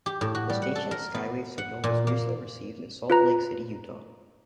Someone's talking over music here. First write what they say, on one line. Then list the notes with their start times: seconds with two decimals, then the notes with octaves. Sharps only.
The station's skywave signal was recently received in Salt Lake City, Utah.
0.06 G4
0.21 A2
0.35 F#4
0.50 G3
0.62 F#5
0.75 A4
0.91 A#4
1.14 B3
1.58 F#5
1.84 A#2
2.07 A#3
3.10 F4 B4 A#5